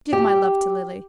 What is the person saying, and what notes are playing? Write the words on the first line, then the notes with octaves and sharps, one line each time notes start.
Give my love to Lily.
G4